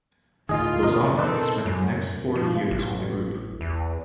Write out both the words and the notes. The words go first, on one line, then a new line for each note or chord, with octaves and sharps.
Lozada spent the next four years with the group.
D2 A2 D#3 F4 G#4 D#5
B2 D3 A#4 D#5
D#3 C4 D#4 A4 B4 D5
F#2
F3
A1
E2